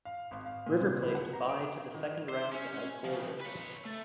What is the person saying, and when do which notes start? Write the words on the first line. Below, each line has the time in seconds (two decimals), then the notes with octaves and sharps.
River Plate bye to the second round as holders.
0.05 F5
0.31 G#1
0.46 F5
0.66 A#2
0.81 C3
1.02 C#2
1.15 F#5
1.33 A#5
1.49 D7
1.94 D#3
2.29 C5
2.52 C#4
3.05 C#3 F3
3.41 B4 C#5
3.85 A3